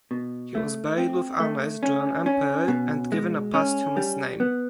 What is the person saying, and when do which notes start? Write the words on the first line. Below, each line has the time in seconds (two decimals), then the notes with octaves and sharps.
He was buried with honours due an emperor and given a posthumous name.
0.11 B2
0.55 A3
0.98 C4
1.40 A3
1.83 C#4
2.26 C#4
2.68 B2
3.12 G#3
3.54 C#4
3.97 G3
4.40 B3